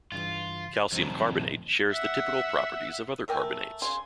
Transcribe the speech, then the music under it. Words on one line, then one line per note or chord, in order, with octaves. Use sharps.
Calcium carbonate shares the typical properties of other carbonates.
G2 C#3 E3 F4
F2 C3 D#3 F#3 G3
A#2 A3
E5 F#5
A3 A#4 G5 G#5
C#3 G#5 C6